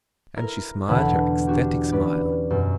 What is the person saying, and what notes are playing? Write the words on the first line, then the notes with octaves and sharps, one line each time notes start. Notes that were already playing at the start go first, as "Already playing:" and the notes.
And she smiled her ecstatic smile.
E4 A#4
E2 B2 D3 F#5 A5 B5
D4 F#4 G4
C#4 B4 D5
F#2 B2